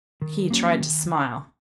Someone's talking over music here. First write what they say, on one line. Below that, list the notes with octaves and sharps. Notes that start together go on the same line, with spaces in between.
He tried to smile.
D#3
F#3 A#3 C#4
D#3